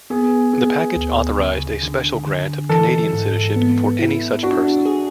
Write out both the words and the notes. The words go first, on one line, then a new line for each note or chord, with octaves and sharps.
The package authorized a special grant of Canadian citizenship for any such person.
B3 G#4
B3 G#4
D2
C#3
D3
D3
E3 A4
G#2
B3
E4
D4 F#4
G#4